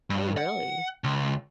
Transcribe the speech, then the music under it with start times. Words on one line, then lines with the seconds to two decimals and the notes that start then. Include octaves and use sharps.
Oh, really?
0.10 G2
0.38 F#5
1.04 C#2